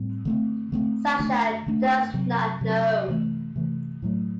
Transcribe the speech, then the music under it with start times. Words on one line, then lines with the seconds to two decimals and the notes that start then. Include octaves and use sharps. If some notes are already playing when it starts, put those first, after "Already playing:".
Sasha does not know.
Already playing: A2 G3 C4
0.25 D3 A3 C4
0.72 D3 A3 C4
1.19 D3 A3 D4
1.66 D3 A3 D4
2.14 C3 F#3 C4
2.61 C3 F#3 C4
3.08 C3 E3 A3
3.56 C3 E3 A3
4.02 A2 F#3 A3